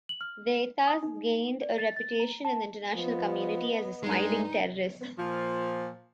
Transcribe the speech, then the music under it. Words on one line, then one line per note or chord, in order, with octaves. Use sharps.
They thus gained a reputation in the international community as the smiling terrorists.
F#7
F6
D#6
D#4
D5
A6
A6
A#5
A5
F3 B3 D#5
G2 G#3 D#4
A#2 F3